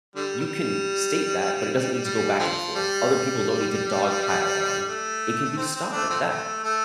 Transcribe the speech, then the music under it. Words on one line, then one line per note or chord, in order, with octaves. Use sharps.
You can state that, but it doesn't need to go back and forth, other people don't need to dog pile on, it can be stopped at that.
D3 G3
G3
G3
D3 F3
G3
A3
C4
C4
A3 D4
F3 A3 C4
A3
A3